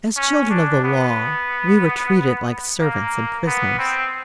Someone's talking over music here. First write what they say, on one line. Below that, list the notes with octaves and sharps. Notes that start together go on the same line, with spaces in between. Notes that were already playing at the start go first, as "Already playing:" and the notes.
As children of the Law we were treated like servants and prisoners.
C#4
D4
B3
A#3
B3
C4